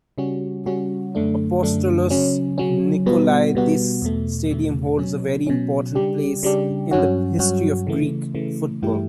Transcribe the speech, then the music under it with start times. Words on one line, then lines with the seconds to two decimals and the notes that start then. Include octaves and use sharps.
Apostolos Nikolaidis Stadium holds a very important place in the history of Greek football.
0.18 C#3 G3 C#4 F#4
0.66 C#3 G3 C#4 F#4
1.15 F#2 D3 A3 D4
1.62 F#2 D3 A3 D4
2.10 C#3 F#3 C#4
2.58 C#3 F#3 C#4
3.06 B2 G3 B3 F#4
3.55 B2 G3 B3 F#4
4.02 E2 B2 A3
4.51 E2 B2 A3
4.99 B2 F#3 C#4
5.47 B2 F#3 C#4
5.95 C#3 G3 D4 G4
6.43 C#3 G3 D4 G4
6.91 G2 F#3 C#4 F#4
7.39 G2 F#3 C#4 F#4
7.87 C#3 E3 A3
8.35 C#3 E3 A3
8.82 G2 E3 A3 E4 G4